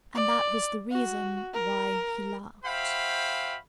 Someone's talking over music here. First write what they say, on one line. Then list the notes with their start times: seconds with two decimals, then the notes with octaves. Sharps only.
And that was the reason why he laughed.
0.15 D5
0.91 F#4
1.54 A#4
2.64 F#4 C5 E5 F5 G5 B5